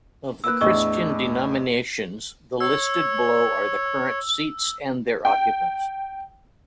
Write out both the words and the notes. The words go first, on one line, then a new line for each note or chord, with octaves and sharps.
Of the Christian denominations the listed below are the current seats and their occupants.
A#3 B4 E6 F#6
E2 A2 D4 D#5 C#6 E6
C#5 E6
G5